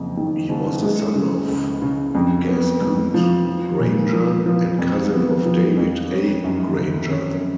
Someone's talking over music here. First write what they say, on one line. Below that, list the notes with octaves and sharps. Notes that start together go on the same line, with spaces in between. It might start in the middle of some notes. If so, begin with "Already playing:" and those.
He was the son of Gaskynd Granger, and cousin of David A. Granger.
Already playing: F#1 F2
D#3
F#1
G#3
C#3
C#2
C#3
F2
B3
F2
F3
F3
A#2
F3
F3
F2
B3
F3
F2
C#4
F#2
C#3
C#4